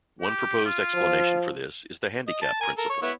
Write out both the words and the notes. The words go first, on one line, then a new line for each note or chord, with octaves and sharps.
One proposed explanation for this is the handicap principle.
G4
F4
F3
D#5
A5
A#4 G#5
A4 A#4
C#5
B3 E4 C#5